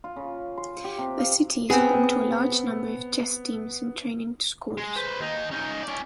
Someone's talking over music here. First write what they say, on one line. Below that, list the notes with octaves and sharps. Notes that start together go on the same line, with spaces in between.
The city is home to a large number of chess teams and training schools.
F4
C#3
C6
G4
C3
F5
B3 C4 G#4
G#3
B4 C5
D#2 D#4
C#4 D#4
C#4 D5